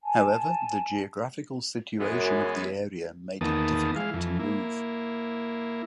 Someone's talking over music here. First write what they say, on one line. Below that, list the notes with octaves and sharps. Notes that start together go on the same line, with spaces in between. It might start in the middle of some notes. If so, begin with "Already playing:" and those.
However, the geographical situation of the area made it difficult to move.
G#5 A5
F#2 E3 G#3 B3
E2 D#3 A#3 B3 A5 D#6
E3 G#3 F5
F2 E3
A#3 E4